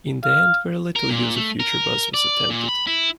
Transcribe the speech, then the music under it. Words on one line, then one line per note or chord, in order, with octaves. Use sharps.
In the end very little use of Futurebus was attempted.
F5
A#4
A#2
A3
A#4
D5
A#2
B5
E4